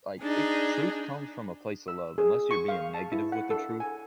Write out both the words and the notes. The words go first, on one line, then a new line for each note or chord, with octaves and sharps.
like, it truth comes from a place of love- unless you're being negative with the truth-
D4 D#4 G#4
E6
G#4
C#6
F5
A5
E4
F#5
A4
G#5